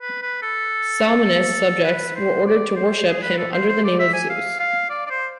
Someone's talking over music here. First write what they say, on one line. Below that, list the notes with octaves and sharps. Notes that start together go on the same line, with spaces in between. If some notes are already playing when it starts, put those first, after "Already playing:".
Salmoneus' subjects were ordered to worship him under the name of Zeus.
B4
B4
A4
B4
C5
D5
C5
G#4
B4
A4
C5
C5
D5
E5
G#5
F5
F5
D5
D5
C5